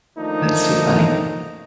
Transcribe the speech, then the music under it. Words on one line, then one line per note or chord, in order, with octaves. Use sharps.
That's too funny.
D#3 F3 A3 A#3 D4 D#4